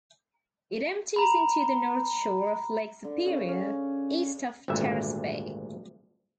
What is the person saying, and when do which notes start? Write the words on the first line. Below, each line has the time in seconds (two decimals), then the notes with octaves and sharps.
It empties into the north shore of Lake Superior east of Terrace Bay.
1.16 A#5 B5
3.05 D3
3.26 C#3
3.49 C#4
4.68 G#1 D2 G2 A#2 D3 E5